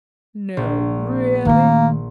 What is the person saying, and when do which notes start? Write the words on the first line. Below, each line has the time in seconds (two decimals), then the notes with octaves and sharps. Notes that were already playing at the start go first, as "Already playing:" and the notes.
'No, really?
0.57 A#1
1.45 D#3 A3 A#3